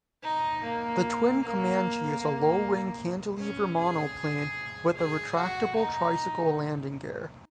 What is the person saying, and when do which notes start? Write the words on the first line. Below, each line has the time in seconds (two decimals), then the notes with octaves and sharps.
The Twin Comanche is a low-wing cantilever monoplane with a retractable tricycle landing gear.
0.23 D#4
0.63 A#3
1.42 A#3
2.21 A#3
3.39 C#4
3.78 G#4
4.97 G#4
5.35 F#4
5.75 D#4